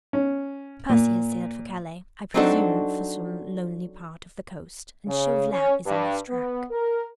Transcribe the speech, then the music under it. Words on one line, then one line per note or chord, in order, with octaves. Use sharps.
Percy has sailed for Calais, I presume for some lonely part of the coast, and Chauvelin is on his track.
C#4
A#2
F#3 C4 D4 D#4 F#4 A4
C#3
C#4
G2
B3
A#4